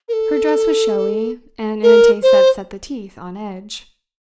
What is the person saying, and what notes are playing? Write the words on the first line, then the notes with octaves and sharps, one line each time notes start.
Her dress was showy, and in a taste that set the teeth on edge.
A#4
A4
A#4
C5